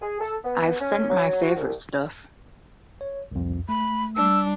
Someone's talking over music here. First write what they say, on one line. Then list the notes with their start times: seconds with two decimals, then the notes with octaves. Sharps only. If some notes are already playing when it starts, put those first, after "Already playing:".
I sent him my favorite stuff.
0.02 G#4
0.21 A4
0.45 B3
0.80 C#4
1.10 F#3
1.43 F#4
1.57 C2
3.01 C#5
3.31 C2 F2
3.69 A3 B5
4.16 G3 D4 E6